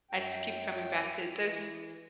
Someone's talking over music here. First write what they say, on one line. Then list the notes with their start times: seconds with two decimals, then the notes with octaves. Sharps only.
I just keep coming back to there's
0.11 F#2 G5
1.40 E3